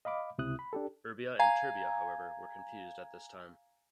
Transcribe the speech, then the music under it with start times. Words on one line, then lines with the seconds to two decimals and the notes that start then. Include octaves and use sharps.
Erbia and terbia, however, were confused at this time.
0.05 D#5 F5 B5 D6
0.38 C#2 C3 E4 D#6 F#6
0.59 B5
0.73 D4 G4 A4
1.39 F5 G#5 A#5 G#6